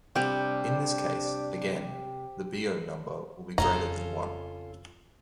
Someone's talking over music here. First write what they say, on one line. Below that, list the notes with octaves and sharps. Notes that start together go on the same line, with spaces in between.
In this case, again, the Biot number will be greater than one.
C3 G3 D4 G4 G5
F2 C#3 C#4 F4 A4 A#5